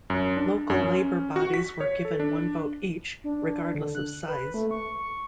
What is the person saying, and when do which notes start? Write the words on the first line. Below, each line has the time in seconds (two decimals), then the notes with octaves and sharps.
Local labor bodies were given one vote each, regardless of size.
0.10 F#2
0.37 D4
0.70 F#2
0.83 C#4
1.36 F#4
1.54 B6
1.81 C#5
2.05 A4
2.20 D4
3.24 D4
3.75 D3
3.95 F#6
4.28 B4
4.54 A3
4.71 C#6
4.98 C#6